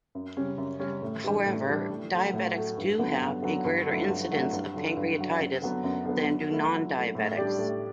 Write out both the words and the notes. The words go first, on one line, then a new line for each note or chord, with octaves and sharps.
However, diabetics do have a greater incidence of pancreatitis than do non-diabetics.
F#2
C#3 G3 C#4
F#2
C#3 G3 C#4
A2
E3 G3 D4
A2
E3 G3 D4
A2
F#3 A3
A2
F#3 A3
G2
D3 F#3 B3
G2
D3 F#3 B3
G2
D3 F#3 A3 E4
G2
D3 F#3 A3 E4
G2
D3 F#3
G2
D3 F#3
F#2
D3 F#3 B3
F#2
D3 F#3 B3
F#3
A3 E4
F#3
A3 E4
A2
G3 D4 G4 D5
A2